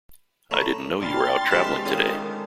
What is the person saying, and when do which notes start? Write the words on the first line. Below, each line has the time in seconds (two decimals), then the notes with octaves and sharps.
I didn't know you were out travelling today.
0.51 A3 C#5 A#5 B5
1.01 A#2 D4 G5 B5 C6 F6 A6
1.51 G#3 C4 G4 A4 B4 E5 C#6
1.86 D3 D#3 A3 C#4 F4 G#4